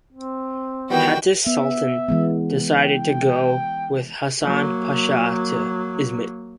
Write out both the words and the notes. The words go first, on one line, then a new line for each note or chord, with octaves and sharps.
Hatice Sultan decided to go with Hasan Pasha to Izmit.
C4
D#3 E3 G3 B3 F#4 G5
B3 E5
E3 G#3 B3
G5
F#3 A#3